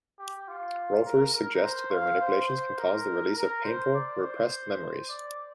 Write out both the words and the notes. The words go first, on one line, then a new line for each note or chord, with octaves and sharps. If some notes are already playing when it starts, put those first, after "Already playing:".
Rolfers suggest their manipulations can cause the release of painful repressed memories.
G4
F4
A#4
A#4
C5
F5
C5
A#4
A#4
C5
D5
C5
D5